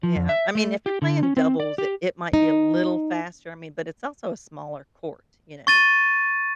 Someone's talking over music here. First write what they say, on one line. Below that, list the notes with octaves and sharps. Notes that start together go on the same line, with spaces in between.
Yeah, I mean, if you're playing doubles, it it might be a little faster, I mean, but it's also a smaller court, you know?
F3
F2
E5
A3
G4
D3
C#4
C4
D5
G4
D#4
C#6 A6 D#7